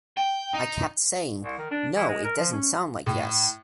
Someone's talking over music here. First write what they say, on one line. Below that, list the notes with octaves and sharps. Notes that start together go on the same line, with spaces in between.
I kept saying, 'No, it doesn't sound like Yes.
G5
D#4
C2
D#3
D4
E3
G#3
A#4
F3
C#4
A2